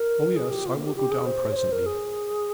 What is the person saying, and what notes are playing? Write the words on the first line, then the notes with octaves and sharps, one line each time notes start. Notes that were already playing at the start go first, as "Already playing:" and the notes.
'O yes, I will go down presently.
Already playing: A#4
G#4
G4
F4
A#3
G4
G4
G#4
C5
C#5
C5
A#4
G#4